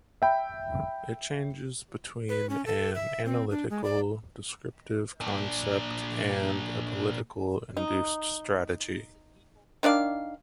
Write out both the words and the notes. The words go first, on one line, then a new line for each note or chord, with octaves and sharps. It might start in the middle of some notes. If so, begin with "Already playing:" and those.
It changes between an analytical, descriptive concept and a political induced strategy.
E5 G5 B5
B4
C#4
A4
E5
C4
D4
G#3
D5
A#2 D4
D#4
D#3 D4 D5 F5